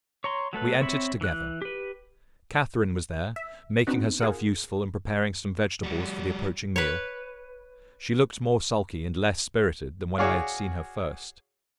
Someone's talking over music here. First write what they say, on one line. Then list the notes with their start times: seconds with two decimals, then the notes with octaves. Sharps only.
We entered together; Catherine was there, making herself useful in preparing some vegetables for the approaching meal; she looked more sulky and less spirited than when I had seen her first.
0.24 C#5 A#5 C6
0.53 F#3 A3 A4 B4
0.81 C4 C#5 E5 B5
1.21 E3 F#6
1.62 G4 B4
3.36 E5
3.87 B3 C4 D4 D#4 F#4 B4
4.20 F4 G#4 A#4 F#5
5.83 G3 F#4
6.76 B4 C#5
10.18 F#4 G#4 C#5 D5 F5